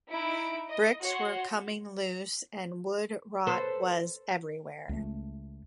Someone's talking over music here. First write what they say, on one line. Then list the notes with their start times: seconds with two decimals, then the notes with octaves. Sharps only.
Bricks were coming loose and wood rot was everywhere.
0.10 D#4 E4 D7
0.69 D#5
1.02 F#4 C#5 F#5 C6
3.46 A4 B4 C5
4.89 C#2 A3